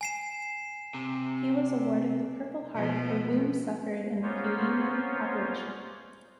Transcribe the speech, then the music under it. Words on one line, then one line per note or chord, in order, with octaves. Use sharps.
He was awarded the Purple Heart for wounds suffered in the Peleliu operation.
G#5 C7 E7
C3
B2 F3
A#3 B3 C#4 F4 C5 C#5